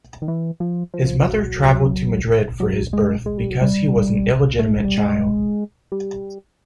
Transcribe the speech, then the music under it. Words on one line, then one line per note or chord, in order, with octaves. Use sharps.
His mother travelled to Madrid for his birth, because he was an illegitimate child.
D#3
E3
F3
F3
F3
F#3
F#3
G#3
G#3
G3
F#3
G3
A3
G#3
G3
G#3
G3